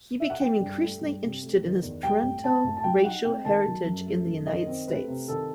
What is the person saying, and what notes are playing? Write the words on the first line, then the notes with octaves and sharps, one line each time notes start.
He became increasingly interested in his paternal racial heritage in the United States.
E5
F#5
E3 G5
G2
A3
G2
C3
A3
D#3
E2
G3 G5
A2
C4 A5
A2
A5
F#3 G5
D#4 F#5
C4 G5
D#3 A5
F#3
F#2
A3
F#2
D#3 D#5
C4
A3 B4
C3
D#3 A4